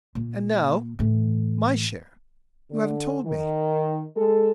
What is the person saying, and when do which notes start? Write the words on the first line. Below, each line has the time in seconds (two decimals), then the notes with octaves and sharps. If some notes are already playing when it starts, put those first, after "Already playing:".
"And now--my share--you haven't told me..."
0.15 A#2 A#3
0.99 A2 E3
2.71 D3
3.26 D#3
4.17 G#3 A4